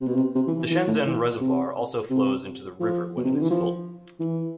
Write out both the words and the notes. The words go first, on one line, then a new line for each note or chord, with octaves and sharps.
The Shenzhen Reservoir also flows into the river when it is full.
C3
B2
C3
C3
E3
E3
E3
A2
E3
C3
C3
F3
B2
C3
D3
E3
F3
E3